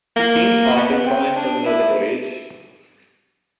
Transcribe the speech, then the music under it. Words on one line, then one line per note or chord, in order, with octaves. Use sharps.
He seems half inclined for another voyage.
A#3
B3
C4
D4
E4